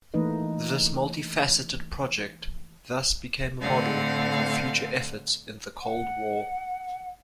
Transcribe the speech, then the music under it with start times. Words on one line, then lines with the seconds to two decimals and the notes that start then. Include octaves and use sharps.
This multifacted project thus became a model for future efforts in the Cold War.
0.14 E3 A3 A#3 D#4 B4 D#5
3.60 A2 D3 C4 F5 F#5
5.80 F#5